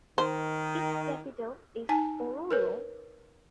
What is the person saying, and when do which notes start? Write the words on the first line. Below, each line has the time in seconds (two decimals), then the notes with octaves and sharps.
Its capital is Oruro.
0.18 D#3 C5
1.89 D#4 G#5 A5
2.51 A#4 B4 C#5